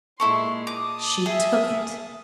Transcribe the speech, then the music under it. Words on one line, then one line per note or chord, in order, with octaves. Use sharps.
She took it!
A#2 G#3 E4 A4 C6 C#6
A5 D6 D#6
G#4 E5